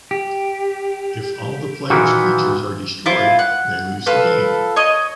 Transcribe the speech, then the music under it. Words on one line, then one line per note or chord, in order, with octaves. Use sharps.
If all the player’s creatures are destroyed, they lose the game.
G4
A#2 D#3 E3 F#4 B4 E5
E4 F4 C5
F#5
F4 A4 B4
C#5 D#5